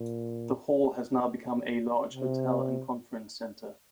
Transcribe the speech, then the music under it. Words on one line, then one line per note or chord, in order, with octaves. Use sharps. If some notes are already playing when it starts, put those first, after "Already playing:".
The hall has now become a large hotel and conference centre.
Already playing: A#2
C3